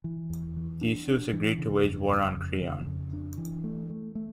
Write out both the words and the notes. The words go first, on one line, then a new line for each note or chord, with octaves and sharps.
Theseus agrees to wage war on Creon.
E3
E2
E3
D4
D4
E3
C#3
F2
C#3
F2
C#3
F2
D4
E3
A3
A3
A3